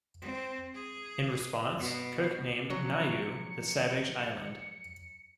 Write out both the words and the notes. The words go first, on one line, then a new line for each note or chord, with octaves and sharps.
In response, Cook named Niue the "Savage Island".
C4
G#4
B2
F3 F#3 C#4 C#7